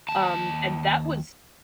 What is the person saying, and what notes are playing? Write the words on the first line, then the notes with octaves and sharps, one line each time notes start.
Um, and that was
D#2 A5